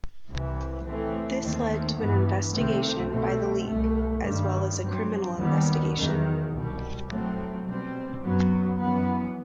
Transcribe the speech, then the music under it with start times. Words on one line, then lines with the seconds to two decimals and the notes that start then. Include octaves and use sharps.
This led to an investigation by the league, as well as a criminal investigation.
0.27 C2 C3 E3
0.83 A2 E3 A3 C4
1.39 D#2 D#3 A3 C4
1.96 G2 E3 B3
2.54 C2 C3 D#3 A3 C4
3.09 B2 A3 C4
3.66 C2 B2 A3
4.23 G2 D#3 G3
4.81 G2 F#3 C4
5.37 D#2 D#3 G3 B3
5.94 E2 D#3 F#3
6.50 C2 B2 G3
7.08 A2 F#3 A3 C4
7.63 B2 G3 C4
8.21 F#2 F#3 B3
8.77 F#2 E3 B3